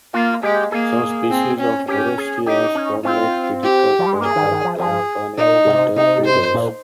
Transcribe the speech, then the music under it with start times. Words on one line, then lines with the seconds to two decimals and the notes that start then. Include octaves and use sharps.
Some species of "Orestias" from Lake Titicaca are planktonic filter feeders.
0.14 A#3 F4
0.43 G#3 G4
0.72 A#3 G#4
1.30 C4
1.59 C#4
1.88 C#4 G4
2.18 G#4
2.46 D#4 G4
2.75 C#4
3.04 C4 F4
3.63 G4
3.99 F3
4.06 G3
4.14 G#3
4.21 A#3 G#4
4.36 D#3
4.51 D#3
4.65 F3
4.79 F3 G#4
5.37 A#2 D#4
5.67 C3
5.96 C3 D#4
6.25 C5
6.54 A#2